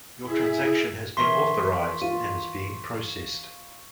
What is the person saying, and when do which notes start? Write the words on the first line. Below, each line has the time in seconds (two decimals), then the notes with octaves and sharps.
Your transaction has been authorized and is being processed.
0.22 E4 G#4 E5
1.17 E3 A#4 E5 C6 C#6 B6
2.02 F4 D#7